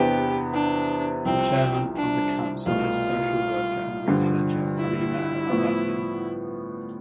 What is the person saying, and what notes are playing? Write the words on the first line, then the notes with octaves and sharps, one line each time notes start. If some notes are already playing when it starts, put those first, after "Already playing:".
The chairman of the council is social worker and researcher Halima El Abassi.
Already playing: E2 C3 E3 B3 D4 G4
D4
C2 C3 F3 C4
D4
C2 B2 A3 F4
G2 D3 F3
E4
A2 F3 B3